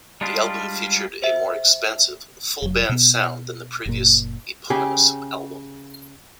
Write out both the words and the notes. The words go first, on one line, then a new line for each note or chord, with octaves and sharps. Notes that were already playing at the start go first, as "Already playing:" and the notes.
The album featured a more expansive, full band sound than the previous eponymous album.
G3 G#3 D4 F4 G4
C5 E5
F1 F#3
B2 B3
F#1 A#2
C#3 G4 G#4